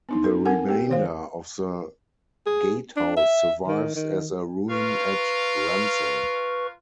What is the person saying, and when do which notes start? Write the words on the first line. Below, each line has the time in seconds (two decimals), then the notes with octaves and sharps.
The remainder of the gatehouse survives as a ruin at Ramsey.
0.09 B3 D4 D#4
0.24 A4
0.45 C4 A#4 F#5 G#5
0.69 A#3 G4
0.90 D#3 C5 F5
2.46 G#4
2.97 D4
3.17 E5
3.67 D#3
3.96 D#3
4.70 F4 A#4 B4 F5 C#6